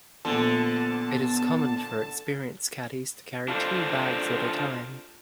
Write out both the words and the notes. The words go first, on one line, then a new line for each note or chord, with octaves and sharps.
It is common for experienced caddies to carry two bags at a time.
A#1 A#2 D3 F3 B3 A5
D4 F4 A4 C5